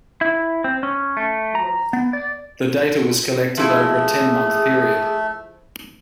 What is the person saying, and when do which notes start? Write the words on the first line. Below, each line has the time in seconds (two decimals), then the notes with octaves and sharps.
The data were collected over a ten-month period.
0.21 E4
0.64 C4
0.83 C#4
1.17 A3
1.55 A#5
1.93 B3
2.13 D5
3.57 F3 A3 E4 G#4 A5